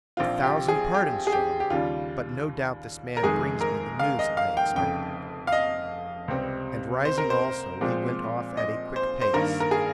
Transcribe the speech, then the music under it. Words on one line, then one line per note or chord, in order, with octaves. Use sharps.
"A thousand pardons, gentlemen; but no doubt this man brings me the news I expected." And rising also, he went off at a quick pace.
A#1 A#2 F3 C4 F4
G4
G#4
G4
G#4
G4
G4
D#2 C#3 G3 F4
A#4
F1 F2 D#3 G#3 D#4 G#4
A#4
F5
D#5
F5
G5
F1 F2 C#3 G5
F5
D#5
C#2 C3 G3 C4
C5
A#4
C5
A#2 F3 G#3 C4
D#5
C5
C5
G2 D#3 A#3 A#4
A#4
G#4